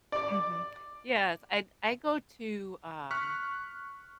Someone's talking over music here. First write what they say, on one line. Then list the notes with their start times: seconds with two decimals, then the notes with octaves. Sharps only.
Mhm, yes, I I go to, um
0.12 D5 D6
3.11 C#6 F6 F#6 B6